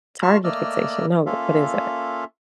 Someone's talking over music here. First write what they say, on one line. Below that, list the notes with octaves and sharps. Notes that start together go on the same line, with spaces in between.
Target fixation. No. What is that?
F4 A5 C#6 F6
A3 A#3 D5 D#5 E6 F6
A#3 C#4 F4 A4 E5 F5